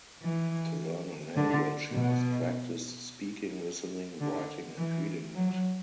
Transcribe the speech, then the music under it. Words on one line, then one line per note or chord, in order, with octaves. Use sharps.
To learn a language, you must practice speaking, listening, writing, and reading it.
E3
D3
B2
D3
E3
F#3